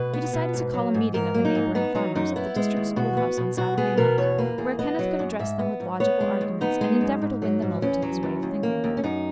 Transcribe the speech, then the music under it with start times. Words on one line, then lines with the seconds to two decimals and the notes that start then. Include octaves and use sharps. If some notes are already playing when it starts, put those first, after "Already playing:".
He decided to call a meeting of the neighboring farmers at the district school-house on Saturday night, where Kenneth could address them with logical arguments and endeavor to win them over to his way of thinking.
Already playing: B2 B4
0.13 B3
0.33 B2
0.54 G#2
0.74 F#3
0.94 G#2
1.14 G#2 A#4
1.34 A#3
1.45 D#4
1.55 G#2
1.75 B3 D#4
1.95 F#3 D#4
2.15 F#2 D#4
2.36 B3 E4
2.56 G#3
2.77 D#2
2.96 B2 F#4
3.17 B3
3.37 B2
3.57 B2 F#4
3.77 B3 G#4
3.97 B2 A#4
4.18 E2 C#5
4.38 A#3 B4
4.58 E2 G#4
4.79 B3 D#5
4.99 F#3
5.19 F#2
5.39 G#2 E5
5.59 B3
5.80 G#2
6.00 B3 C#5
6.20 G#3
6.41 D#2
6.61 B3 D#4
6.81 G#3
7.01 F#2
7.22 G#2
7.42 F#3
7.62 G#2
7.82 E2 C#4
8.02 F#3
8.23 E2
8.43 D#2
8.63 A#3
8.84 D#2
8.97 C#4
9.03 F#2 D#4